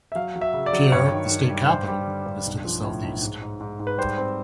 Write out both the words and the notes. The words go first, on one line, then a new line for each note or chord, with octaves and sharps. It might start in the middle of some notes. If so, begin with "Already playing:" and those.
Pierre, the state capital, is to the southeast.
E5
F#3 F5
F#3
E5
C#3
D5
F#3
G2 C#5
D#3
D#3
G3
G2 C5
G3
D3
G2
B1
F3
A2
B1
G#2
G#2
G#2
G#2
B4
G3 C5
C4